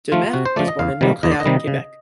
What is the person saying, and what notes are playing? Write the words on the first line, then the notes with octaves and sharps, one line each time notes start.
Demers was born in Montreal, Quebec.
F3 A3 F4
C3 F#4
C5
F3 A3 D5
D#5
E2 F5
C3 D#3 G3
E2 D#5
D5
D#5
C3 D#3 G3
C#3